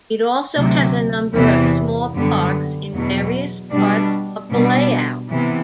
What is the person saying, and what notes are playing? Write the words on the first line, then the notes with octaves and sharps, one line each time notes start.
It also has a number of small parks in various parts of the layout.
D2 C3 F#3
E2 C3 E3 B3
F#2 D3 G3 B3
E2 B2 F#3
B2 G3 D4
B2 G3 D4
C3 E3 B3